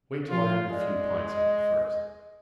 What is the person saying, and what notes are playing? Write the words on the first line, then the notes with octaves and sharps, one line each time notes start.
Wait till I have a few pints in me first.
F3 F4
G#3 D5
D#5